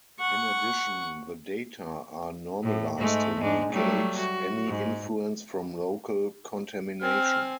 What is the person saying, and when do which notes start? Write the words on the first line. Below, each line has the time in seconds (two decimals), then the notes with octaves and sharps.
In addition, the data are normalized to negate any influence from local contamination.
0.19 F#5 C#6
2.63 A2
2.98 G#2 G#3 A3
3.40 G#2 G#3 D4
3.73 F#3 G3 A3
4.18 F#4
4.67 G#2
7.02 C4 G#5 F6